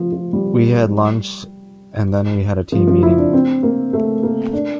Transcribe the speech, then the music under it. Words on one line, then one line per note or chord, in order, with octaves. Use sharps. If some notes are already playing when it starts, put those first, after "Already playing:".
We had lunch and then we had a team meeting.
Already playing: F3
F3
G3
F3
F3
E4
D4
C4
A#3
A3
A#3
D4